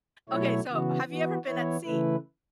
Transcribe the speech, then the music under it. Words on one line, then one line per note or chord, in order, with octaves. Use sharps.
Okay, so have you ever been at sea?
B2 F#3 A3 E4 C#5
C#3 E3 B3 F#4
E3 B3 F#4
E3 B3 E4 C#5
C#3 E3 A3 E4 B4